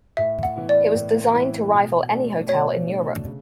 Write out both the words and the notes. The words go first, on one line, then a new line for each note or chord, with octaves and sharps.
It was designed to rival any hotel in Europe.
A2 E5
F#5
E3 B3 E4
D5
A2
E3 B3 E4
B2
A3 D4
B2 C#5
A3 D4
C#3